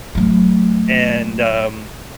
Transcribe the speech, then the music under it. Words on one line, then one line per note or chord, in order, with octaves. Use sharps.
and, um,
F#3 A3